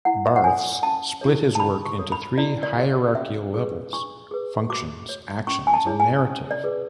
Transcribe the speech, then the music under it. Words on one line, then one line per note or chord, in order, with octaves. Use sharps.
Barthes split this work into three hierarchical levels: 'functions', 'actions' and 'narrative'.
E4 F#5
E5
F#5
A4 C#5 G#5
C#4 A5
E4 G#4 C#5
A5
D4 B5
C#6
A4 C#5
B5
E4 D5
D5
G#4 C#5
C#4 E5
G#4 B4
D4 C#6
G#4 B4
F#4 D6
C#5
C#4 C#6
G#5
A5
E4 G#4 C#5
G#5
C#4
D5
G#4 B4